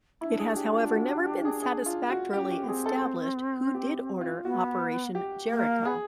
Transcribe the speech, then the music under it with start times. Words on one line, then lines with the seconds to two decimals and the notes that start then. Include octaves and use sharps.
It has however never been satisfactorily established who did order Operation Jericho.
0.21 D4 E4
0.39 G#4
0.56 G4
0.74 F4
0.92 F#4
1.09 G4
1.27 G4
1.45 G#4
1.62 G#4
1.86 F4
2.09 F#4
2.33 C#4 G4
2.51 G4
2.64 B3
2.68 C4 G#4
2.86 A4
3.74 G4
4.21 F4
4.44 B3 F#4
5.15 G4
5.51 A#3
5.85 B3 G#4